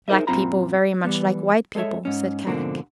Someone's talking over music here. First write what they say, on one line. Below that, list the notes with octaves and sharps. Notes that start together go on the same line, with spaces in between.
"Black people very much like white people," said Kadok.
D#4 G#4 A#4 C5 D#5 E5
F#2 A#2 C4 F4 A#5 B5
E3 G3 B3
G#3 A4 C5 C#5 E5
G#2 C#4
G#2 B2 D3 F3 A#3 C4